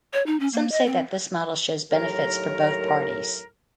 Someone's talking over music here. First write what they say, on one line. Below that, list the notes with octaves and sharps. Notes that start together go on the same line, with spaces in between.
Some say that this model shows benefits for both parties.
C#5
D#4
C#4
A#3
D#5
C4
D#2 A2 F#3 A#4